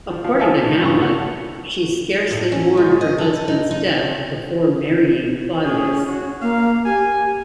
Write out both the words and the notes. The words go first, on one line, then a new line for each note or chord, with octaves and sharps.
According to Hamlet, she scarcely mourned her husband's death before marrying Claudius.
F3
F3 F5
C5 C#5 E5 F5 G#5 A5
G#2
G2 C#3 C#6
A4 F#5
A2
C#4
G#3
D#5
A4
D#4
D#4
C#4 G#4
F#4
A#3 F5
G4 G#5